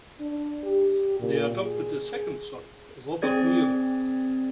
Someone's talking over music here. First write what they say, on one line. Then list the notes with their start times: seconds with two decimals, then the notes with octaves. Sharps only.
They adopted a second son, Robert Nearing.
0.20 D4
0.64 G4
1.20 A#2
1.63 G#4
3.22 C4 G#4 D5 G#6